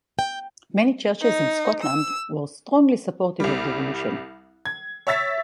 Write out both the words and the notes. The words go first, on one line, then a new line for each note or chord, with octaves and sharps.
Many churches in Scotland were strongly supportive of devolution.
G5
D#4
E6
C2 G3
G#6
C#5 E5 E6 A6 B6